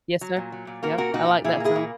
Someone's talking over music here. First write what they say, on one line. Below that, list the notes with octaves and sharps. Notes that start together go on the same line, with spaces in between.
Yes, sir, yep, I like that song.
F#3
A#2
F#3
A#2
A#3 F#4 A#4
A#2 F#4 A#4
A#2 D#4 F#4
A#2
A#2 E4 G#4
A#3 E4 G#4
A#2